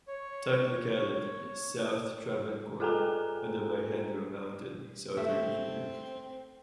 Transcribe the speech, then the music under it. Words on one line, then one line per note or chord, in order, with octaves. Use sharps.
Type locality: "South Travancore, on the Myhendra Mountain", southern India.
C#5
C#5
F4 G#4 A4 G5 G#5 A#5
A3 C4 E5